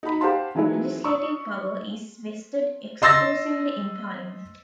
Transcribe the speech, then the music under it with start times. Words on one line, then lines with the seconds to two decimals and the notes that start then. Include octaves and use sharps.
Legislative power is vested exclusively in Parliament.
0.03 D#4 F#4 A#5 B5
0.21 G4 C5 F5 F#5 A5 C6
0.55 D#3 E3 F#3 G#3 A3 E4
1.04 C#6 D#6 E6
3.02 D#5 C6 E6 A6 A#6